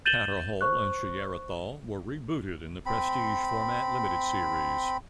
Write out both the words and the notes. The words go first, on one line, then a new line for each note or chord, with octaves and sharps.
Katar Hol and Shayera Thal were rebooted in the prestige format limited series.
G6 A6 D#7 E7 F#7 G7
C5 C#6 F#6
C4 B5